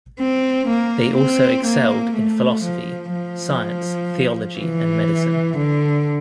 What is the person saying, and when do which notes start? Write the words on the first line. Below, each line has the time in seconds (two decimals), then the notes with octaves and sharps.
They also excelled in philosophy, science, theology and medicine.
0.20 C4
0.68 A#3
1.17 C4
1.66 A#3
2.15 A3
2.64 F3
3.12 F3
4.59 E3
5.57 D3